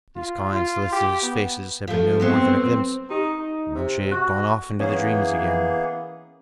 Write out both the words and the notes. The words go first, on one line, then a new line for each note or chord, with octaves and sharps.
These kind, solicitous faces had been no more than a glimpse, and then she had gone off into the dreams again.
F4
F4
G4
B3
F3 A3
F#2 F#3 B3 C4
D#4 G4
D#4
C3
F#4 C#6 F#6
E3 A#3 B3 C#4 G#4